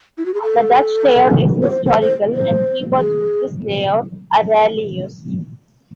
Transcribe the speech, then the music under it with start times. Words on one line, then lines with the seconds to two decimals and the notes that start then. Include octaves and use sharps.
The Dutch layout is historical, and keyboards with this layout are rarely used.
0.18 E4
0.26 F#4
0.34 G#4
0.42 A4
1.63 C#5
1.70 C5
1.85 C5
2.02 C5
2.34 C5
2.97 G#4